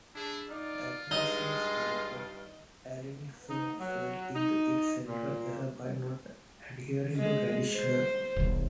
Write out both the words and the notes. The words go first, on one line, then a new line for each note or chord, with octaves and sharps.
Athanasius held that Arianism fell into its central error by not adhering to tradition.
D4 E4 G#4
D#4 F4 D5
G2 G#3 D#4
D#4
F#3
D#4
A#2
G#3
C5
D#1 B1